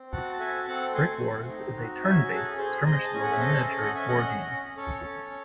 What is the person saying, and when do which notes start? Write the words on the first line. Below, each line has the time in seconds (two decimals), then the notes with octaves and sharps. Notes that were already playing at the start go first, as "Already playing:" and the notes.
"BrikWars" is a turn-based skirmish-level miniatures wargame.
Already playing: C4
0.12 F#4 F#5 A5
0.32 A5
0.40 A4 E5 G#5
0.67 C4 F#5 A5
0.94 A3 G#5 C6
1.22 C4
1.49 D#4
1.76 F#4
2.03 C#4 E5 G#5
2.30 G#4 A4
2.58 G#4 C5
2.85 G#4 C5 D#5
3.04 A5
3.13 C#4 G#5
3.22 F#5
3.31 E5
3.40 A4 C5 D#5
3.68 C#4
3.81 D#5 F#5
3.95 C#4 E5 G#5
4.08 D#5 F#5
4.22 C#4
4.49 C#4
4.77 C#4 A4 C#5
5.04 C#4